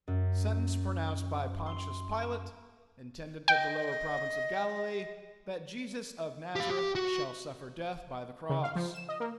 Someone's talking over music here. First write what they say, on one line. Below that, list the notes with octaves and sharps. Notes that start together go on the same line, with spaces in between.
Sentence pronounced by Pontius Pilate, intendent of the lower province of Galilee, that Jesus of Nazareth shall suffer death by the cross.
F#2
C6
D#5 G5
G4 F5
G4
F#4
C#3
F5
F3
E7
D#5
A#3